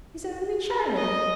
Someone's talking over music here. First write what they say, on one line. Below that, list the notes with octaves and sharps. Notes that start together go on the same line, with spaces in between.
His only child!
D#5